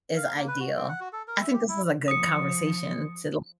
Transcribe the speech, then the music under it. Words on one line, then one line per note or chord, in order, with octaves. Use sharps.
is ideal. I think this is a good conversation to loo
F5
A#3
B4
F#4
C4
F#5
F#4
A4
A#4
E5
G4
E4
F3 D#6 C#7